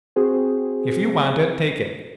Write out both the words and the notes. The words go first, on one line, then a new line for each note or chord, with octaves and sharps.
If you want it, take it.
C4 F#4 G#4 C5